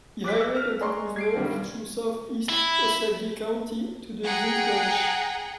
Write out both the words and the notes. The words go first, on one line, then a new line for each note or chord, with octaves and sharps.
The highway continues north through southeast Osage County to the Zink Ranch.
D6 F#6 B6
E6
F6
G#4 D5 D#5 A#5 C6 C#6
G#6 C7 D7
B1 G2 D3 D#3 G3
E4
G#4 F#5 G5 A#5